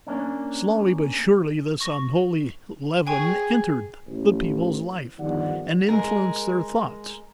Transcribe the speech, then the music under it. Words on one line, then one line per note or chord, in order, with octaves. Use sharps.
Slowly but surely this unholy 'leaven' entered the people's life, and influenced their thoughts.
A#3 C#4 D4
C#6 A#6
G#4 G5 G#5 C#6
A1
G1 D#3 F3 G4 D5 F#5
G#3 G#4 A#4